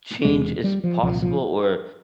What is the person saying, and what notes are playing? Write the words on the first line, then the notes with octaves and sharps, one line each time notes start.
"Change is possible?" Or,
E1 E2 C3 G#3
G3
F3
C2 A#2 F3
F3